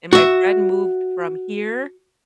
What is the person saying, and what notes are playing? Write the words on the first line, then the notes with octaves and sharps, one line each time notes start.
and my friend moved from here
F#4 E5